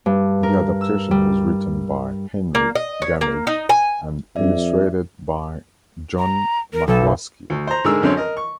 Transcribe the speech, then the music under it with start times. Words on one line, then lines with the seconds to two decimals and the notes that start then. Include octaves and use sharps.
The adaptation was written by Henry Gammidge and illustrated by John McLusky.
0.06 G2
0.43 A#4
0.81 E6
1.11 G3
2.55 A#3
2.75 D#5
3.02 C#5
3.21 A#3
3.47 D#4
3.69 G#5
4.36 F2 D5 E5
6.18 A#5
6.73 A#4
6.88 B1 A4
7.50 D2
7.67 C5 A#5
7.84 G#2 D3 G#3 G#4 A#4 E6
8.02 F#2 D3 C4 C#4
8.17 A#4 D#5
8.37 C#6